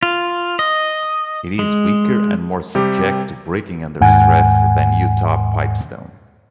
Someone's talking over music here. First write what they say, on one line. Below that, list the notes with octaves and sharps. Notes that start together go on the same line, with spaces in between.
It is weaker and more subject to breaking under stress than Utah pipestone.
F4
D#5
G#3
C3 G3 G4
D#2 G#2 F#5 G#5